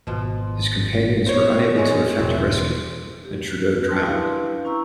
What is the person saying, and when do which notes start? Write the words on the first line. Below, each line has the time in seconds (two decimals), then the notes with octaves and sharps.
His companions were unable to effect a rescue, and Trudeau drowned.
0.07 G#1 B2 F3
1.26 B3 C5 C#5
1.76 E3 G#3 F#4
2.19 E1 E2 A2 C4
3.25 G4
3.77 B4
3.89 B4 G5 A5 C6
4.05 D4 E4 G4 B4 F5
4.65 C#4 E4 A#5 C#6 E6